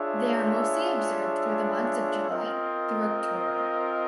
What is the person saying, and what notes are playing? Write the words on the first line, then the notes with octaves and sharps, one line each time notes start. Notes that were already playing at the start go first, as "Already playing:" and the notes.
They are mostly observed through the months of July through October.
Already playing: D4 F4 G#4 C#5 E5
C4 F4 A#4 D#5